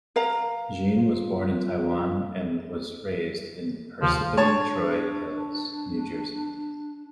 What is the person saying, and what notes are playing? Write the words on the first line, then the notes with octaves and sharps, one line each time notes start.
Jean was born in Taiwan and was raised in Parsippany-Troy Hills, New Jersey.
A#4 F5 A#5
F4
D#2 F3
D4 C#5 A5